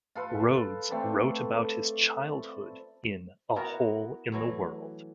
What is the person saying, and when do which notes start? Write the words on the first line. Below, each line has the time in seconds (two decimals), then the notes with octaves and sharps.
Rhodes wrote about his childhood in "A Hole in the World".
0.15 F4 A4 B4
0.90 A3 C4 B4 D5
3.56 B3 E4 F#4 A#4
4.32 E3 F#3 A3